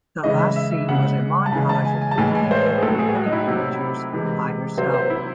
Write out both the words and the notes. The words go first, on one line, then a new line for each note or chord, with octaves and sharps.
The last scene was a montage of Vivian taking wedding pictures by her self.
C#3 E3 G#3 D#5
E5
E5
E5
C#3 G#3 F#5
A5
C#3 E3 G#3 G#5
A5
G#5
G#5
A5
A2 E3 G#3 G#5
G#5
C#5
C5
C5
G#4
A2 F#3 A4
G#4
G#4
F#4
D#4
E4
C3 F#3
C3 E3 G#3
C3 F#3 C5
C5
E4